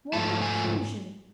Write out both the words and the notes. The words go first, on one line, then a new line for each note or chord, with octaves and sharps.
More confusion.
G#2 F3 A3 A5
G#5